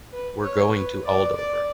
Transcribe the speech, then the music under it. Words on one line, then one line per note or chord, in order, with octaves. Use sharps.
We’re going to Aldover.
B4
C#5
B4
D5
D5